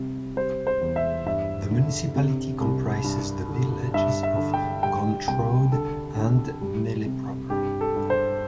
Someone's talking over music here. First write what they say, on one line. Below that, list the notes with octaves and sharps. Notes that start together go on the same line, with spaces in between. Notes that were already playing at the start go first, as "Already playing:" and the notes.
The municipality comprises the villages of Gontrode and Melle proper.
Already playing: C3 G3
G3 C5
C5
E2
E5
G2 E5
D3
C3
C2
G2
D3
G2 E5
E5
D3
G5
G3 G5
C2 G5
D3 A4
D3
G3
C3
G2 G4
A4
G2
C5